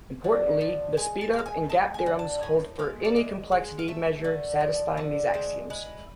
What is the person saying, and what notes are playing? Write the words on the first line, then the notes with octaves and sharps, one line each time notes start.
Importantly, the Speedup and Gap theorems hold for any complexity measure satisfying these axioms.
D3
F3
G#3 G#5
A5
G#3
F5
G#5
G#3 A5
G#5
D3
A5
A2 G#5
G#3 F5
D5
G#3 E5
G#3
F5
A3 E5
D3
F3
D3
G#3 C5
G#3 B4